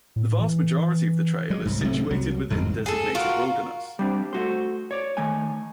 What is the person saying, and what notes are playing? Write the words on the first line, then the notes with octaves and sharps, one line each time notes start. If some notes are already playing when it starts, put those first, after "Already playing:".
The vast majority of the trail is situated within designated wilderness.
A2
E3
F#3 G#3
C2 G#2
C3 F#3 A3
C2 F#3
G1 F2 G#2 G#3
G#4 A4
F4 F#4 A#4 F5
G3 C4 D4
A3 F#4 C5
C#5 D5
D#3 A3 G#5